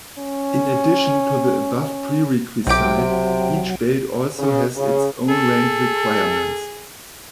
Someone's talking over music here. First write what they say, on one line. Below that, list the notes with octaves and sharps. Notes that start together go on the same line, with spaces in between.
In addition to the above prerequisite, each belt also has its own rank requirements.
C#4
C#4
B1 C3 F#3 C4 G4 D7
C#3
C#3
G#4 A4